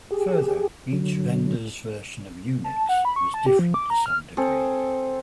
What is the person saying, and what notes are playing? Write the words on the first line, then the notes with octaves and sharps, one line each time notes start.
Further, each vendor's version of Unix was different to some degree.
G4 G#4
D3 F#3
A5
F#5
B5
C#6
A5
G4
F3
D6
A#5
F6
C4 G#4 A4